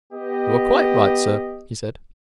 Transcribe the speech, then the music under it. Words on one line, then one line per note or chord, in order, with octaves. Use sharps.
"You are quite right, sir," he said.
B3 G4 D#5